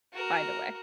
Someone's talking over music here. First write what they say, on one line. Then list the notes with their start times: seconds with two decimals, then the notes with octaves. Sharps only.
find a way.
0.13 F#4 A#4